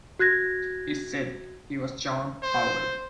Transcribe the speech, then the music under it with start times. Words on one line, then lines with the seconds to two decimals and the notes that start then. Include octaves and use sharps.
He said he was John Howard.
0.19 F#4 F#6 G#6 A#6
2.42 C5